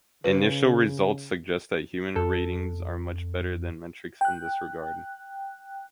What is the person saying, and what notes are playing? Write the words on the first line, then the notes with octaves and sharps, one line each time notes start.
Initial results suggest that human ratings are much better than metrics in this regard.
C#3 B4
F2 A4
G5 F#6